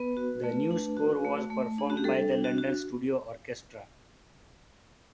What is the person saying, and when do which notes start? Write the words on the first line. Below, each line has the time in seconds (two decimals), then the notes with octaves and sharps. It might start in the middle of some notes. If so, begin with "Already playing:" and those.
The new score was performed by the London Studio Orchestra.
Already playing: B3 B4
0.17 F#4
0.44 A3
0.71 D4
0.97 F#4
1.25 A3
1.50 A3
1.78 D4
1.90 F#4
1.97 G4
2.04 G3 A4
2.31 D4
2.44 F#4
2.58 F#4